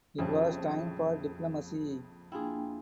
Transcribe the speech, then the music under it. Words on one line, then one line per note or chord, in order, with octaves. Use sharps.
It was time for diplomacy.
A#1 F2 C#3 F3 G3
A#3 D4 E4 F4 G#4 G5